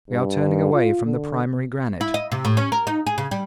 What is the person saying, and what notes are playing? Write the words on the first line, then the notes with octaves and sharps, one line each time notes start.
We are turning away from the primary granite.
G2
F4
D3
E4
D#5
C3
A2
C#4
A#4
D#4
G#4
C#3
G3